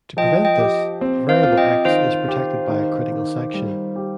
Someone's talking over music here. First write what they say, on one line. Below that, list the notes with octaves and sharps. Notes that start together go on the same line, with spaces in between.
To prevent this, variable 'x' is protected by a critical section.
F3 D#5 G5
D#5 G5
G4
C4
C5 F5
F4
D#5 G5
D#3 C5 F5
G4
D#3
D#3
G3
G4